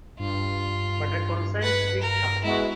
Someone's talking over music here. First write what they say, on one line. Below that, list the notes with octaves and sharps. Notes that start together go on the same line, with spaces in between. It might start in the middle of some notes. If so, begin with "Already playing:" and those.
But her conscience pricked her.
G2 F4
B4 F#5
A#4
G#3 B3 E4 F#4